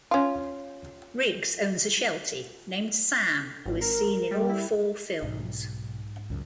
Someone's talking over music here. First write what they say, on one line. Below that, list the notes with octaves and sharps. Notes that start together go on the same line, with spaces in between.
Riggs owns a Sheltie named Sam who is seen in all four films.
C#4 F4
G#1
A#4
G3
E4
B1 G#2
C#2 F#2